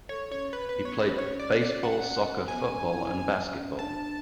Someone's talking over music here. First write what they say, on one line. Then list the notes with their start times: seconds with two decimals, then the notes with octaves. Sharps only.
He played baseball, soccer, football, and basketball.
0.09 A4 C#5
0.31 C#4 C#5
0.53 B4
0.69 B4
0.75 B3
0.85 C#5
0.96 C#4
1.02 B4
1.18 C#4 C#5
1.39 D5
1.61 D5
1.83 F#5
2.48 B3 G#5
2.70 D4
2.74 C#4
2.91 E4
3.13 C#4
3.46 C#4
3.79 D4 A5